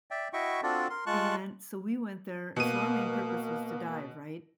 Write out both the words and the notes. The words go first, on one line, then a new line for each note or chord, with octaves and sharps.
and so we went there so our main purpose was to dive, right?
D5 E5 G5
E4 F#4 D#5 E5 G5 C#6
C4 D4 F4 F#4 A4 D5
A#4 C6
G#3 F4 A5 C#6 F#6
B2 A#3 D#7